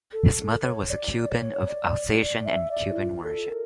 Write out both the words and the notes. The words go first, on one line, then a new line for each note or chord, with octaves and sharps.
His mother was a Cuban of Alsatian and Cuban origin.
A4
C#5
D5
C#5
D5
E5
D5
E4
F4
A4
A#4